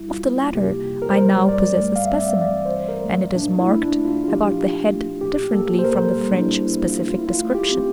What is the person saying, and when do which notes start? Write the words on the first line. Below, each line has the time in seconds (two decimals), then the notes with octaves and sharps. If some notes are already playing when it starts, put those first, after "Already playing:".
Of the latter I now possess a specimen, and it is marked about the head differently from the French specific description.
Already playing: F2 G3 E4
0.09 F4
0.24 A#3
0.54 C3 G4
0.86 F2
1.02 A#4
1.09 C5
1.16 G3 A#4
1.49 G2 D5
1.80 A3
1.96 F5
2.06 C4 E5
2.17 D5
2.28 E5
2.42 E3 D5
2.65 C5
2.73 G2
2.89 A#4
3.05 A3
3.34 A#2 D4
3.59 E4
3.66 A3
3.82 D4
3.98 A#2
4.05 F4
4.24 F4
4.28 F3 G4
4.59 A#2 F4
4.90 A3
5.21 A#2 G4
5.53 A#3 A4
5.79 C5
5.84 A#2 A#4
6.16 G3
6.32 D4
6.39 E4
6.47 A#2
6.62 E4
6.77 A#3
6.85 F4
7.08 F2 F4
7.18 E4
7.28 F4
7.39 A3
7.55 G4
7.71 C4